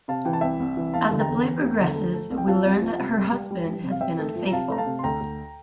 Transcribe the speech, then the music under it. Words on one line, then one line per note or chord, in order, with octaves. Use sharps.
As the play progresses, we learn that her husband has been unfaithful.
C3 F5 A5
E3 G5
A5
C2 E5 G5
C2
E3
E2 F5 A5
D3
G5 A#5
E2
E2
E2
D3
A3
A3
C2
G5
F3 F5 A5
C2
F3
C3
G3
G3
G3
G3
C3
F5
C3 E5 G5
A3
F3
A#5
C3 F5 A5
A3 A#5
F5 A5
C3
C6
D2 G5 A#5
D2